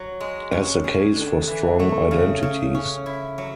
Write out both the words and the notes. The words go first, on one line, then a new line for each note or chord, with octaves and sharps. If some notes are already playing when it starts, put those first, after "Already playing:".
As the case for strong identities.
Already playing: F#3
G#3
C#4
G#4
D3
E3
A3
C#3
C#3
C#4
E4
F#3